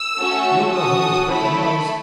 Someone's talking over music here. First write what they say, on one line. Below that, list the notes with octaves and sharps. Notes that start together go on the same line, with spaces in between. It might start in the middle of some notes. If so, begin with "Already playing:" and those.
"You'll go home with a broken nose!"
Already playing: E6
A3 C#4 F#4 A4
C#4 F#4 A4 D#6
A3 E4 A4 B5
B5